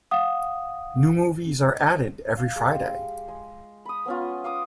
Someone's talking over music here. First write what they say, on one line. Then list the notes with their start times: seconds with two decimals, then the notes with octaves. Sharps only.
New movies are added every Friday.
0.11 F5 F#5 D#6
2.37 F5
2.56 G#3 G4
3.28 G#3
3.85 B5 D#6
4.06 B3 C#4 F4
4.44 F5 D6 D#6